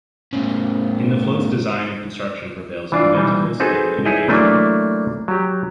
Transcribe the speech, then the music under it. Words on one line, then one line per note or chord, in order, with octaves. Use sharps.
In the float’s design and construction prevails inventiveness and innovation.
A2 C#3
E3 D4 F4
E3 G3 D#4
C4 D#4 F#4 G#4 A4 B4
D#4 E4 G#4 B4 C#5 D#5
E3 F#3 A3 A#3 D4 E4
F#3 G4